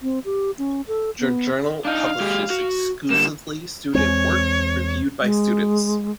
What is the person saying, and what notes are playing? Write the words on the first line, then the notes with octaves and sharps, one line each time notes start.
The journal publishes exclusively student work, reviewed by students.
C4
G4
C#4
A4
B3
D4 D#4 F5
G#3 G4 G#4
F#4
D3 G3 A#3 E7
E2 G#3 C4 C#5
G#3